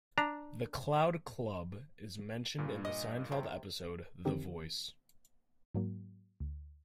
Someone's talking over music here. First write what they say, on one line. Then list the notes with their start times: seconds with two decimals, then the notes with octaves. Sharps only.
The Cloud Club is mentioned in the Seinfeld episode The Voice.
0.18 D4 A#5
2.58 G2 A#2
2.85 D#5
3.32 C3
4.25 D3 D#3 C4 D#4 G4 A#4
5.74 G#2 F#3 A#3
6.40 D2